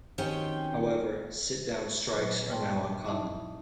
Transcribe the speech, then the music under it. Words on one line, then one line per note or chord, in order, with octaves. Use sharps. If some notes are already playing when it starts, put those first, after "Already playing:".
However, sit-down strikes are now uncommon.
B2 D#3 C4 C#4 G4 G5
A#2 F#3 B4 F#6
G5 A5 C6 C#6
D#4 E4 D#5 E5 A5